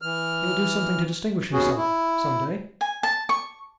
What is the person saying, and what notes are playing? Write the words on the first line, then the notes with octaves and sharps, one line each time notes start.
He'll do something to distinguish himself some day.
E3 F6
D#2 B3 C#4 F#4 G#4
E4
G#5
A5
C#6